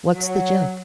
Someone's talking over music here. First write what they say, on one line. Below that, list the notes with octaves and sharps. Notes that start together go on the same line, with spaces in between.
What's the joke?
F#3